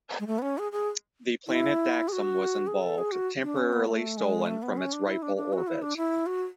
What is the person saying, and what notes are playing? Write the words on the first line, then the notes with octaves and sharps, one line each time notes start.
The planet Daxam was involved, temporarily stolen from its rightful orbit.
G#3
A3
B3
C#4
G#4
G#4
E4
G#4
F#4
G#4
A4
G#4
F#4
D4
C#4
B3
A3
G#3
A3
B3
C#4
D4
E4
D4
D4
F#4
E4
D4
E4
F#4